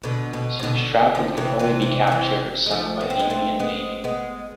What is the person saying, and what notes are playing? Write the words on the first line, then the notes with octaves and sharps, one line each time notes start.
She was trapped and could only be captured or sunk by the Union Navy.
B2 D3
B2
C3
B2 D3
D3 F3
C3 E3
C3 E3
C3 E3
F3
C3 E3
G#3
F3 A3
B3
C4
G#3 B3
A3 C4
G#3 B3
G#3 B3